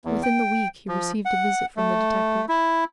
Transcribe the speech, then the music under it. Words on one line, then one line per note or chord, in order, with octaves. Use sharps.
Within the week he received a visit from the detective.
E2
G5
F3
F#5
A3
E4